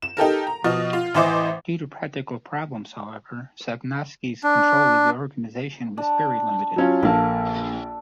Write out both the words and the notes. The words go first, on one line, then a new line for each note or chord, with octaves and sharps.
Due to practical problems, however, Sosnkowski's control of the organization was very limited.
E7
D#4 G4 A4 A#4
A#5
B2 F3 D#5 F6
F4
A1 E3 E4 C5 D#5 D6
D4
D4
F#3 C#4 F4
A#1 A#3 A4